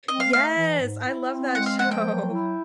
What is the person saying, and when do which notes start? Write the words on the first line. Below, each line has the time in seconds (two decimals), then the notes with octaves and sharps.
Yes! I love that show.
0.08 C4 D#5
0.20 F5
0.33 A3 F5
0.58 E3
0.81 G#2
1.05 E4
1.30 C4
1.55 G#3 F#5
1.66 F5
1.79 F3 F#5
1.91 G5
2.03 F#3
2.27 E4